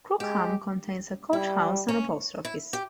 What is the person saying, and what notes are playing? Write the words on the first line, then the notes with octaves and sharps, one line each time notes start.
Crookham contains a Coach House and a Post Office.
G#3 G4
G3 E4
C#4
E4
G4